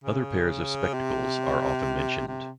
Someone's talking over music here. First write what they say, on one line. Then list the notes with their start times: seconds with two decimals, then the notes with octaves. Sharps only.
Other pairs of spectacles are often mentioned.
0.04 C#3
0.93 C3
2.27 C3